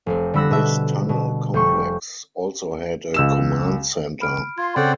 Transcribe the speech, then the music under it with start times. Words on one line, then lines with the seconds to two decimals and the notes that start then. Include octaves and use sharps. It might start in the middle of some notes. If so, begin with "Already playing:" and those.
This tunnel complex also had a command centre.
0.06 F1 C4
0.34 D3 G3 B5 E6 F#6 A#6
0.51 B2 E5
1.09 B2
1.54 F1 G5 C6 C#6
3.14 C#2 E6 E7
4.21 B5 F6 D7
4.58 F4 C6 G#6
4.76 C#3 C4 A4 D5 F#5 G5